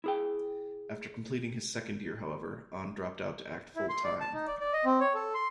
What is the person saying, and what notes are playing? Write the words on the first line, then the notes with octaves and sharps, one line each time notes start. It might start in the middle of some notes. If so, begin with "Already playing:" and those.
After completing his second year, however, Ahn dropped out to act full-time.
E4 G#4 G5
E4
C6
D5
A5
D#4
D5
D5
D#5
C4
C#5
A4
C6